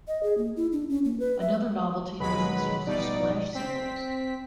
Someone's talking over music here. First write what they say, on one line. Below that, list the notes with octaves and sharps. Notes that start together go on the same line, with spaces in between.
Another novelty was his use of splash cymbals.
D#5
G#4
A#3
E4
D4
C#4
A#3
B4
E5
D#2 B2 F#3 G#3 B4 B5
A1 G2 B2 D#4 D5
C4 B6